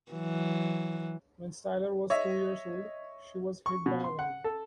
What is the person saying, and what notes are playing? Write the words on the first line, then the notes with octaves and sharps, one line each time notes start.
When Styler was two years old, she was hit by a van.
E3 F#3
C#5 D#5 E5
C#6
B2
C6
F#5
A4